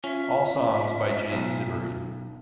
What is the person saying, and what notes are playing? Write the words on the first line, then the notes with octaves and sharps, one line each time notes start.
All songs by Jane Siberry.
C#4 F4 E5
B1